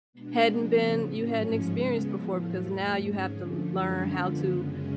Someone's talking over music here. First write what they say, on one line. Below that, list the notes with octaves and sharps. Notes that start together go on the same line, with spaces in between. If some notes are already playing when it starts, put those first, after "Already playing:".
hadn't been you hadn't experienced before because now you have to learn how to
B2 G#3 B3 D4
C#3 F3 B3
A2 F#3 C#4
G#2 F3 G#3 C#4
C#3 G#3 B3
A2 F3 A3
F2 F3 A3
G#2 G#3 C#4
D3 F3 A3
F#2 D3 F3 G#3 C#4
D3 F3 B3
F#2 C#3 G#3 C#4